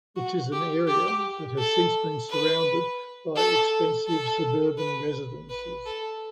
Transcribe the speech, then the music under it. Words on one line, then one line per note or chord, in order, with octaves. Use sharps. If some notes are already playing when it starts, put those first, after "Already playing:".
It is an area that has since been surrounded by expensive suburban residences.
F#4
G4
G4
A4
B4
A4
A4
B4
B4
A4